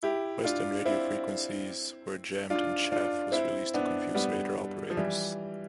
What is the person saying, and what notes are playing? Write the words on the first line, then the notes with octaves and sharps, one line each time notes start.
Western radio frequencies were jammed and chaff was released to confuse radar operators.
E4 G4
D4 F4
C4 E4
D4 F4
D4 F4
C4 E4
B3 D4
G3 B3
F3
E3 G3